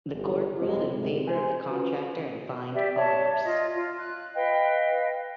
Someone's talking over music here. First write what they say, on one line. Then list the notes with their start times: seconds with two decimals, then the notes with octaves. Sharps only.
The court ruled in favor of the contractor and fined Rs.
0.13 G1
0.61 B1 F2 C3 G#3 C4
0.96 D2 G#2 C3
1.28 C5 G#5
1.70 C#4 F4 F#4 B4
2.73 G4 D5 E5
2.97 C#5 D5 E5 A5
3.44 F4 D#5
3.74 F4
3.98 F#6
4.35 B4 D#5 F5 G5